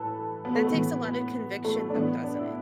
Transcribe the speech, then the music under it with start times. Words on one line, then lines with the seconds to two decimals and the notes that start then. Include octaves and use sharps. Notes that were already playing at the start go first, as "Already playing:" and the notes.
That takes a lot of conviction though, doesn't it?
Already playing: A2 E3 A4 B4
0.45 B3
0.55 A3
0.65 B3
0.74 A2 E3
1.04 B3
1.65 A3
1.90 D4
1.94 A2 E3 B3
2.24 D4
2.39 E4